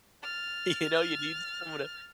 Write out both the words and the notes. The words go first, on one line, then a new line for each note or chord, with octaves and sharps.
You know, you need someone to
F6 A6